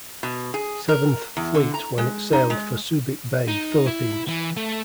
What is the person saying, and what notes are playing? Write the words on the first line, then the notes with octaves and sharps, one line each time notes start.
Seventh Fleet when it sailed for Subic Bay, Philippines.
B2
G#4
A#4
E2
D3
A#5
G#3
D#4
G#3
D#4
E4
E3
A3